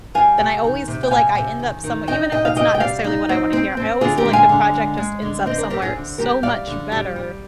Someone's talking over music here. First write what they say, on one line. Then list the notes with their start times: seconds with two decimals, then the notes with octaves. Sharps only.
then I always feel like I end up somewhe even if it's not necessarily what I wanna hear, I always feel like the project just ends up somewhere so much better,
0.15 G3 F5 G#5
0.39 C3
0.64 D#3
0.88 C3
1.03 G5
1.11 C3 F5 G#5
1.35 C3
1.60 D#3
1.84 D#3
2.08 D#4 D#5 G5
2.32 C3 D#5 G5
2.45 F5
2.56 C3 D#5 G5
2.75 G5
2.80 G3 D5 F5
3.04 D#4
3.29 C4
3.53 C4
3.77 C4
4.01 D3 F4 G#4
4.18 G4 A#4
4.25 G#3
4.33 F5 G#5
4.49 D3
4.74 G#3
4.98 G#3
5.22 D3
5.46 C4 C5 D#5
5.58 A#4 D5
5.70 C4 G4 A#4
5.82 F4 G#4
5.95 D3
6.18 G3 G4 A#4
6.43 G3 D5 F5
6.67 D3
6.92 G3
7.16 G3